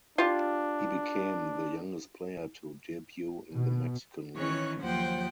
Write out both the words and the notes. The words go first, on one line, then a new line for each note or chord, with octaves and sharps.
He became the youngest player to debut in the Mexican League.
D4 F4 G4
B2
D#3 E3 C#4 C#5 C#6 F#6
D#2 F3 F#3 C5 F#5 G5